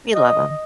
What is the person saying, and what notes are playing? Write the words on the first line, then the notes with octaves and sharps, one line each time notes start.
We love 'em.
D#5